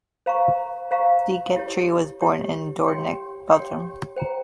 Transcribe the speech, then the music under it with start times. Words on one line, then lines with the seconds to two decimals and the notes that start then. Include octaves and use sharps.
De Geyter was born in Doornik, Belgium.
0.26 C5 F5 A#5 C#6
0.91 C5 F5 A#5 C#6
1.56 E4 G4 C#5
2.21 E4 G4 C#5
2.86 G4 C#5 G5 C6
3.51 G4 C#5 G5 C6
4.16 C5 G5 A#5